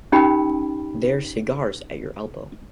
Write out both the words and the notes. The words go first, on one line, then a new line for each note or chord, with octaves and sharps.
There's cigars at your elbow.
C#4 D#4 G4 A#4 G5 B5